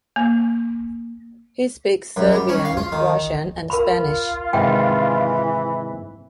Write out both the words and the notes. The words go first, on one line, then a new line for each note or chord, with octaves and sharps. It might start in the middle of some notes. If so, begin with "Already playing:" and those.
He speaks Serbian, Russian, and Spanish.
A#3
F#2
G3
C#4
F5
F4
D#3
F4 A#4 B5
G#2 C3 D#3 E3 G5